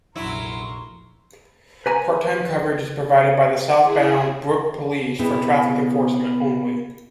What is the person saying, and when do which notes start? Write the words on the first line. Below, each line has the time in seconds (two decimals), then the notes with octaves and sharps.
Part-time coverage is provided by the South Bound Brook Police for traffic enforcement only.
0.15 F1 A#1 F#3 E4 A#4 C6
1.86 B4 G#5 A#5
3.77 E4 G#4
5.19 B2 B3 C4 E4 G#4